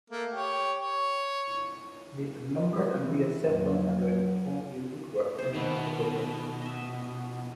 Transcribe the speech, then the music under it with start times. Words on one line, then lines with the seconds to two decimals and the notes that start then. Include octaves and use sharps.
They were numbered and reassembling around all-new woodwork on Capitol Hill.
0.10 A3 A#3
0.33 G4 C#5
0.79 C#5
3.03 E3
3.41 F2 A#2 F#3
5.38 C3 C5
5.54 B2 D#3 B3
6.62 D#5 E5